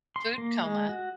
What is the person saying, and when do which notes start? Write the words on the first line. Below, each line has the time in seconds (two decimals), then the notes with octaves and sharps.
Food coma.
0.16 C6
0.38 A#3
0.62 G#3
0.89 F#4